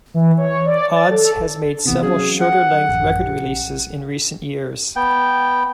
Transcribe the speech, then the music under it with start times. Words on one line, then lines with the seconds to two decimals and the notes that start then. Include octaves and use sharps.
Odds has made several shorter-length record releases in recent years.
0.14 E3
0.37 C#5
0.66 D5
0.95 A6
1.10 A4
1.85 C3 E3 B3
2.03 F#3 C#4 G#4 F5
2.41 F#5
2.89 A1 F#2
3.19 A#1 G4
4.96 B3 G5